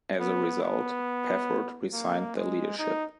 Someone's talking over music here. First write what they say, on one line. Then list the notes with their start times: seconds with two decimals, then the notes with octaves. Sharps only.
As a result, Pafford resigned the leadership.
0.20 B3
0.63 B3
1.93 A#3
2.36 G#3
2.78 D#4